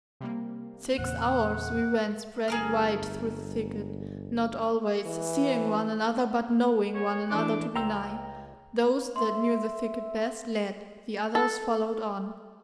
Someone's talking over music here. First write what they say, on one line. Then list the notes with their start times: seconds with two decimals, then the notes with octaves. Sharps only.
Six hours we went spreading wide through the thicket, not always seeing one another, but knowing one another to be nigh; those that knew the thicket best led, the others followed on.
0.21 C3 G3 A#3
0.98 E2 A#2 C#3 F#5
2.48 G1 G#4 A#4 F6
5.06 E3
6.95 C#5
7.30 E3 D4 D6
7.76 C#2 G5 A#5 C6 E6
9.16 E5 C6
11.35 A4